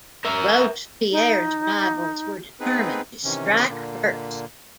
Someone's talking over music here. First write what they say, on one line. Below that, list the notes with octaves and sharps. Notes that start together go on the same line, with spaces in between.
Robespierre's rivals were determined to strike first.
A#4 E5
D#4
B3 C4 D#4 G#4 B4
C3 D#3 E3 C#4
A#2 D3 A#3